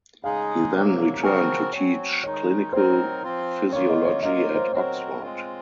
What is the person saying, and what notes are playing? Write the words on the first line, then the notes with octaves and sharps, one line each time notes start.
He then returned to teach clinical physiology at Oxford.
C#3 G#3 D#4 G#4 F5
C3 F#3 A#3
A#5
C#3 F3 C4 F#4 A#4 G#5
F#3 C4 F#4 C#5
D#3 G#3 D#4 C#5
F#3 C4 D#4 A#4 C5
F3 C4 F4
D#3 A#3 F4 C#5
D#5
C#5
F#3 A#3 F4 A#4 D#5
C#5
C5
F#3 C4 F#4 A#4 C#5
G#3 C4 F4